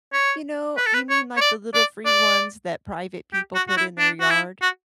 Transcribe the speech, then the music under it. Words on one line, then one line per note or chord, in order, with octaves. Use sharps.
You know, you mean, like, the little free ones that private people put in their yard?
C#5
B4
A4
B4
C#5
C#5
D5
D5
D5
G4
F#4
F#4
E4
D4
F#4
E4
F#4